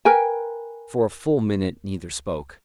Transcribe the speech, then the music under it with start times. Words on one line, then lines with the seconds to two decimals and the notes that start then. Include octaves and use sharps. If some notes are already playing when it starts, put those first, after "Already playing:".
For a full minute neither spoke.
0.05 A#4 B4 G5 G#5